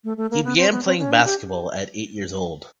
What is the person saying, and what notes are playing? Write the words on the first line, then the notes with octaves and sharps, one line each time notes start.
He began playing basketball at eight years old.
A3
A3
A#3
B3
C4
B3
C4
C#4
D4
G4